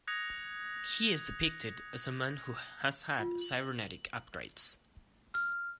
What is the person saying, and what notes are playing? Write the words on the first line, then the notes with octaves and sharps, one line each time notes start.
He is depicted as a man who has had cybernetic upgrades.
D#6 F#6 G#6 A#6 C#7 F7
F4
F#7
F6